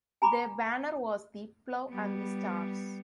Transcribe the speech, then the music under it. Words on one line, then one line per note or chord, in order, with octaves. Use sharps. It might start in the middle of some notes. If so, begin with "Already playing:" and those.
Their banner was the "Plough and the Stars".
G#5 A#5 B5 D6
G3 B3